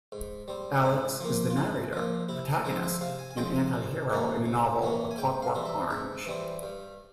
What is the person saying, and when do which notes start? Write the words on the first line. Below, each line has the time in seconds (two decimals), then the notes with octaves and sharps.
Alex is the narrator, protagonist and antihero in the novel "A Clockwork Orange".
0.12 G#2
0.48 G3 C4
0.76 C#4
0.85 G#2 E4
1.20 F3 A#3
1.50 F4
1.57 G#2 E4
1.93 F3 A#3
2.29 C3 E4
2.65 F3 G#3 C4 E5
2.83 E5
3.01 C3 F5
3.19 G#5
3.31 G#5
3.37 F3 G#3 C4 G5
3.55 G#5
3.73 C3
4.10 E3 A#3 C#4
4.46 C3
4.82 E3 A#3 C#4
5.11 G#5
5.18 G#2 G5
5.42 F5
5.55 E3 G3 C4
5.66 E5
5.90 G#2 E5
6.26 E3 G3 C4
6.63 G2